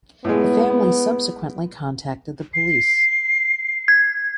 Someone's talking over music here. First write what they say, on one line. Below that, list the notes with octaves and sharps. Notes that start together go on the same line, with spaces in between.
The family subsequently contacted the police.
A2 G#3 B3
C7
G#6